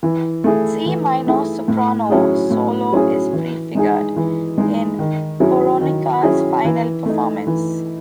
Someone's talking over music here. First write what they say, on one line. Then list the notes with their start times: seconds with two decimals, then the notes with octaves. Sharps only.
Its E minor soprano solo is prefigured in Weronika's final performance.
0.03 E3
0.44 A3 E4 G#4
0.86 E3
1.27 A3 E4 G#4
1.68 A2
2.10 F#3 C#4 E4 G#4
2.51 A2
2.93 F#3 C#4 E4 G#4
3.33 E3
3.75 G#3 D#4 G#4
4.16 E3
4.58 G#3 D#4 G#4
4.99 D#3
5.40 F#3 C#4 E4 G#4
5.81 D#3
6.23 F#3 C#4 E4 G#4
6.65 E3
7.06 A3 D#4
7.47 E3